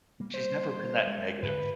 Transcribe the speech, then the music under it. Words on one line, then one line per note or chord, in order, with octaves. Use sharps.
She's never been that negative
G3 A#3
C5
G#3
G#2 D3 B4